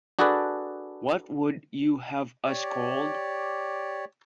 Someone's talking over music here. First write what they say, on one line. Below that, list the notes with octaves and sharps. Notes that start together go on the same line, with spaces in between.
What would you have us called?
D4 F#4 G#4 A4 B4 D5
G4 C#5 D5